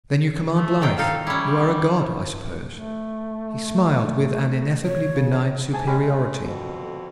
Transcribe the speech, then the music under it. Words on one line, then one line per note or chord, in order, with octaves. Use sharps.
"Then you command life; you are a god, I suppose?" He smiled with an ineffably benign superiority.
A3
D3 D#3 G5
D#4 A4 F5
G3 C#4 E4
A3
C#5
C#3
G#2 G#4 G#5 A5
G#3 C#4 G4 B5
G#3 A3
F2 B2 D3